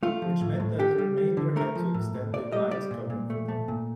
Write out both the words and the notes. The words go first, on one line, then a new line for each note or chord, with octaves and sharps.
Which meant that the remainder had to extend their lines covering for them.
A3 F4
F3
A2
A2
D3 G4
G3
G3
D3
A3 A#4
F3
A2
A2
A#2 D5
G3 D#5
G3 D5
A#2
A#2
A3
A3
A#2